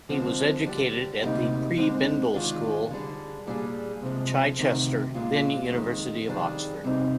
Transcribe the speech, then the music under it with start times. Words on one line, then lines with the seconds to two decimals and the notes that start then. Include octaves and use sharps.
He was educated at The Prebendal School, Chichester, then University of Oxford.
0.09 D3 F3 G#3 C4
0.65 D3 G3 D4 G4
1.21 D2 C3 G3 A#3 D#4
1.77 D3 G#3 C4 D#4
2.34 D#3 G#3 D4 F4 G#4
2.91 D3 G3 D4 G#4
3.47 A#2 G3 D4 G#4
4.02 C3 F3 G#3
4.59 D2 C3 D#3
5.15 A#2 G#3 D4 F4
5.71 F2 D#3 G#3
6.27 F2 D#3 G3 D4 G#4
6.84 C3 G3 C4 D#4